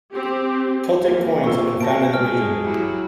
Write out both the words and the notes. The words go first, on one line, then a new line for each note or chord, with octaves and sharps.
Celtic coins have been found in the region.
C4 G4
E3 A#3
C3 F4 C#6 E6
A#3 F#4 A5 A#6 D7
G#3 G#4 F6
F#3 E4 G4